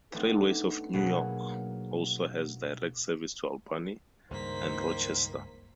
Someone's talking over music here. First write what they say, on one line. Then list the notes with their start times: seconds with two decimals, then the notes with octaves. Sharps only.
Trailways of New York also has direct service to Albany and Rochester.
0.14 A3 B3 C4 D4 D#4
0.93 B2 F#3 A#3 B3 G#4
4.31 C#2 G2 D#3 A#3 C5 B6